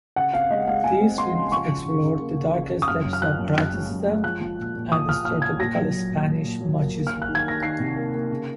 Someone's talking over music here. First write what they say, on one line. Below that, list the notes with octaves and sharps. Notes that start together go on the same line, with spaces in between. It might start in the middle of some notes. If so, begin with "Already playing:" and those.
These films explored the darkest depths of eroticism and stereotypical Spanish machismo.
C#3 F#5
C4 F5
G#3 D#5
G#3 F5
G#3 G#5
C4
G#3 C6
C#3
F3 C#6
C#3
C#3
C#3
A#3
C#3
C#3
C#3
D#6
F#2 F6
F#2
F6
F3 F#6
F#2
F#2
G#3
F#2
G#3
F3 F#6
F3
A#2
A#2
F3 D#6
F3 F6
A#2 F6
A#2 G#6
A#2 A#6
F#3
F#3
A#2
F#3
A#2
F#3
A#3
A#3
A#3 F6
F#6
D#3
G#6
A#3 A#6
D#3 C7
C3
A#3
A#3
C#3